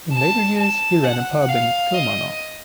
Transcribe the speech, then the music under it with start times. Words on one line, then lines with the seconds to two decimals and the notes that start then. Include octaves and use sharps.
In later years he ran a pub in Kilmarnock.
0.13 A5
0.58 A5
1.04 F#5
1.49 F5
1.94 D#5